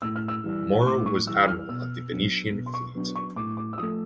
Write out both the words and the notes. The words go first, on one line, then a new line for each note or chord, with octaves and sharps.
Moro was Admiral of the Venetian fleet.
A2 E6
F6
E6
E3 G3
C#6
A2 D6
C#6
E3 G3 E6
F6
B2 E6
F#3 B3 D4
B2
C6
C#6
F#3 B3 D4
C#6
A2 D6
D6
E6
F3 A3 D#6